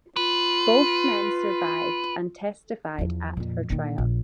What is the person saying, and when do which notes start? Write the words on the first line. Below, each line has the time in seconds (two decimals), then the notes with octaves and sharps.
Both men survived and testified at her trial.
0.16 F4 B4
2.98 E2 F3
3.37 F2 A#2
3.70 A#2 D#3
3.98 A#1